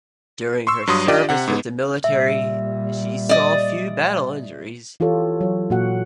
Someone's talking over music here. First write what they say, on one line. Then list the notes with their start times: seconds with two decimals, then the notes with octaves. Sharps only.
During her service with the military, she saw few battle injuries.
0.67 C6 C#6 E6
0.87 G2 F#3 C6 D#6
1.08 D4 F4 G4 D5 D#5
1.29 C3 F#5
1.48 G#2 B3
2.04 A#2 G3 E5
3.29 D5 D#5
5.00 E3 F4 G4 A4 C#5
5.41 F#3 C#5
5.70 A#2 F#4 F#5